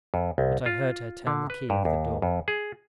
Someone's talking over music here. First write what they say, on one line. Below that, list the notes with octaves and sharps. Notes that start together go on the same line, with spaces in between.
But I heard her turn the key of the door.
F2
C2
F4
D3
B4
G2
D#2
F2
G#4